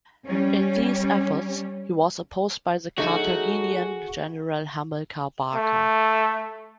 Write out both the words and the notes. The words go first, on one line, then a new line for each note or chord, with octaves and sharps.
In these efforts, he was opposed by the Carthaginian general Hamilcar Barca.
G3 C#4
F#3 A3 D#4 F#4 G#4
A3